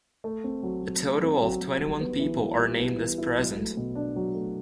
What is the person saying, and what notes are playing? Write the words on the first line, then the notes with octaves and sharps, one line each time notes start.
A total of twenty-one people are named as present.
A3
C4
F#3
F#3
A3
C4
F#3
F#3
G3
B3
E3
E4
G3
B3
E3
E4
F#3
A3
B2
D4
F#3
A3